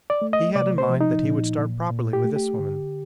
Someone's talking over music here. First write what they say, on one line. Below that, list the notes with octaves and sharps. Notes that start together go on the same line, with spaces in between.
He had in mind that he would start properly with this woman.
D5
A3
D#5
C3 D5
C5
F3
D#4
A#2
A#2
A#2
G4
A3
G4
D3